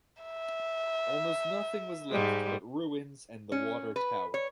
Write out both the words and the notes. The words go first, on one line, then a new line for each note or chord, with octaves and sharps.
Almost nothing was left but ruins and the water tower.
E5
G#2 G3 G#3
C#4
B4
C#5